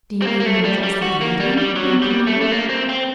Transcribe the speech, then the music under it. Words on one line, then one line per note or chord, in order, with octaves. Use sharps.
'D'you mean you were dressed like an Indian?'Dan demanded.
C4
A#3
A#3
A3
G3
G3
F#4
A#3
G3
G3
F#3
G3
A3
A3
A#3
C4
C4